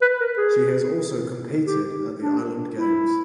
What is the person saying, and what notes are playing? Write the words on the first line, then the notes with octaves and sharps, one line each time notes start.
She has also competed at the Island Games.
B4
A#4
G#4
G4
D4
E4